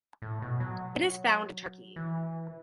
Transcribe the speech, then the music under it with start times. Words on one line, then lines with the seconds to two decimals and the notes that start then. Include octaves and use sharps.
It is found in Turkey.
0.22 A2
0.42 B2
0.60 F#3
1.96 E3